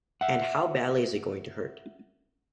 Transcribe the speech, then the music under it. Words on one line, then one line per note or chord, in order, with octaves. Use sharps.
And how badly is it going to hurt?
E5 F#5